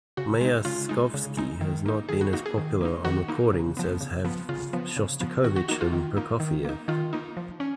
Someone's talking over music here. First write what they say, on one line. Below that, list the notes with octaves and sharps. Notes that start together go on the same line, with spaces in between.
Myaskovsky has not been as popular on recordings as have Shostakovich and Prokofiev.
C#3 F#4
G#3 D#4
C#3 F4
G#3 D#4
C#3
G#3 D#4
D#3
A#3 D#4
D#3 G#4
F#4
A#3 D#4 F#4
G#4
D#3
A#3 D#4
D#3 F#4
A#3 D#4
C#3
F3 B3
C#3
F3 B3
C#3 F4
F3 B3
C#3
F3 B3
D#3 F#4
F#4
A#3 D#4 F#4
F4
D#3
A#3 D#4
D#3
A#3 D#4
D#3 F4
A#3 D#4
F3
C#4